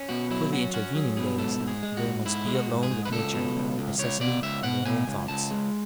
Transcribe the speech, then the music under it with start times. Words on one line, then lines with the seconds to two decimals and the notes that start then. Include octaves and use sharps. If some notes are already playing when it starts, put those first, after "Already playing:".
For the intervening days they must be alone with Nature, necessity, and their own thoughts.
Already playing: C#4
0.09 B2 F#4
0.31 F#3 E4
0.52 C#4 F#4
0.74 C#4 F#4
0.95 F#3 G#4
1.17 B2 G#4
1.38 G#2 A4
1.60 G#2
1.68 G#4
1.83 G#3
1.97 F#4
2.03 G#2
2.25 G#2 E4
2.47 G#3
2.55 F#4
2.68 G#2
2.83 G#4
2.91 G#2
3.05 B4
3.12 C#2 A4
3.34 B2
3.56 C#2
3.78 C#2
3.98 C#2 C#5
4.20 B2 D5
4.42 C#2 E5
4.63 B2 F#5
4.85 B2 G#5
5.07 C#2
5.28 C#2 A5
5.51 G#3